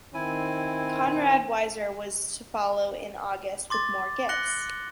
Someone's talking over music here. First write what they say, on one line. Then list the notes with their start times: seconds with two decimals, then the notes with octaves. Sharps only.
Conrad Weiser was to follow in August with more gifts.
0.14 D#3 C4 E4 G#5
3.70 C6 D6 A6
4.29 F#6 A#6 C#7 F#7 G7